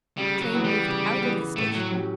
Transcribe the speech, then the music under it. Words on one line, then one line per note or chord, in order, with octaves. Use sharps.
The train moved out of the station.
C#3 G3
F#3
E3 B3
G3
C#3
E3 B3
A2 A3
F#3
F#3 C#4 G4